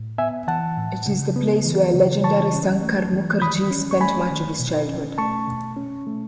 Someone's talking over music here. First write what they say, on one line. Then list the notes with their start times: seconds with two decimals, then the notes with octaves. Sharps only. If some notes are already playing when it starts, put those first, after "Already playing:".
It is the place where legendary Sankar Mukherjee spent much of his childhood.
Already playing: A2
0.18 B3 E5 G#5
0.47 E3 F#5 A5
0.77 A2
1.07 C#3
1.36 B3
1.65 E3
1.94 C#3
2.24 E3 A5 C#6
2.54 C#4
2.83 A3
3.13 E3
3.42 D#3 B5 D#6
3.71 C#4
3.91 C#6
4.00 A3 G#5 B5
4.30 D#3
4.59 B2
4.88 C#4
5.18 A3 A5 C#6
5.48 B2
5.77 C#4
6.07 A3